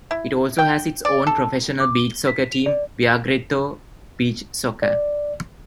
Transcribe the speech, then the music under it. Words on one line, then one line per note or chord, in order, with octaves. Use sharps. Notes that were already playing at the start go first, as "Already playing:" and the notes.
It also has its own professional beach soccer team Viareggio Beach Soccer.
E4
G5
D5
A4
D6
G7
B6
F7
D5
D5